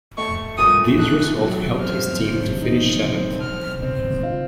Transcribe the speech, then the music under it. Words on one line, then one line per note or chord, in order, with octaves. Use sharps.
This result helped his team to finish seventh.
A3 C#6
A#2 D#6
A3 F#6
F#3
C4 F6
C4
D#4
C4
C4 F6
C4
F4